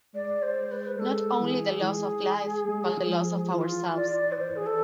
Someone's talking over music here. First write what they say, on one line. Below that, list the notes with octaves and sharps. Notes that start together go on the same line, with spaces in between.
Not only the loss of life, but the loss of ourselves.
G#3 D5
C5
B4
C5
B4
G#3 A4
E3 G#4
G#3
G#3
F3
E3 F4
D5
B4
C5
G#4
A4